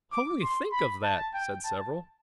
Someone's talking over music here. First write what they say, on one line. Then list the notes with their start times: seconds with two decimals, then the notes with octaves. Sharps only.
"Only think of that!" said several.
0.12 D6
0.43 C6
0.72 B5
1.04 A5
1.34 G5
1.64 A5